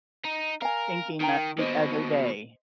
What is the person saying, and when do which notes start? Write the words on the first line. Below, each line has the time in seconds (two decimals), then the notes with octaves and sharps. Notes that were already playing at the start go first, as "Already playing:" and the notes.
thinking that the other day.
0.25 D#4
0.62 A#4 F5 G#5
1.21 D#3 G5 A#5
1.58 D#2 B2 C5 D#5